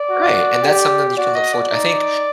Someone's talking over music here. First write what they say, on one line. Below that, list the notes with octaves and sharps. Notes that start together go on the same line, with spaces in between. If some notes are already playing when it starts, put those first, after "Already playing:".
Great, and that's something that you can look forward to I think
Already playing: D5
F#4
G4
F#4 D5
D#5
D5
D#4